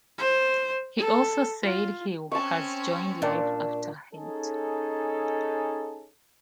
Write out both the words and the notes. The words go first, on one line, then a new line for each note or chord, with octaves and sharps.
He also said he has joined Life After Hate.
C5
A4
F4
C4 C#4 A5 C#6
A#2 D4
C#4 D#4 G#4 A4